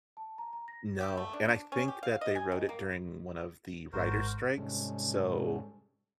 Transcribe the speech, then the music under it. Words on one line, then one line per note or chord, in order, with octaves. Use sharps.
No, and I think that they wrote it during one of the writer strikes, so,
A5
A#5
A#5
A#6
G4
A3
D4
D4
C#4
G4
F5
D#5
G#5
D#3
A#3
G#1 G#2 F#4 A#4 C5
G#2 C3 G3 G#3 C#4 A4